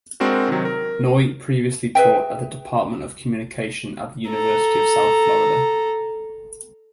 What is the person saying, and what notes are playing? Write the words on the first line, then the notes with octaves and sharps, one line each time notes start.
Noy previously taught at the Department of Communication at the University of South Florida.
G#3 C4 D4 F#4 A#4 C5
C3 D#3 F#3
A#4
G#4 B4 E5 G5
A4 A#5